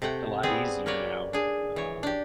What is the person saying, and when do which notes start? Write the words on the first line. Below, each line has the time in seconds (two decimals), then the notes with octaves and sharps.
a lot easier now, uh,
0.02 C3 A3 F#5 G5
0.43 G3 B3 C4 G#4
0.86 A#3 A#4 B4 C#5 D5
1.33 D4 G#4
1.76 E3 C#5
2.03 D4 G4